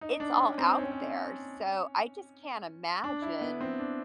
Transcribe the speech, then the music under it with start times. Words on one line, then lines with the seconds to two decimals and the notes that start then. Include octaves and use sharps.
it's all out there. So, I just can't imagine
0.01 D#4
0.20 D4
0.39 C#4
0.58 C4
0.78 C#4
0.84 C4
0.91 C#4
3.04 D4
3.22 E4
3.41 B3
3.61 C4
3.79 D4